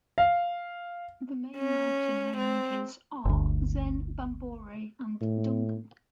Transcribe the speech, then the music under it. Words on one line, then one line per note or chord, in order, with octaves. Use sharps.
The main mountain ranges are Zen, Bambore and Dungan.
F5
C#4
C4
G1 D2
A2